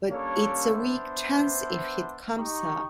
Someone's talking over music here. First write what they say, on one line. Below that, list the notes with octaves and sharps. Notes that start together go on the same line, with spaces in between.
But it's a weak chance if he'd come, sir!
G3 A#3 C#4 D4 A4 C#5
B3 D4 C5 E5
D#4 G4 D#5 A#5 C#6